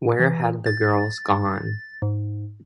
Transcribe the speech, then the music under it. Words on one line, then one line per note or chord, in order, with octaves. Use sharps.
Where had the girls gone?
E3
A6
G#2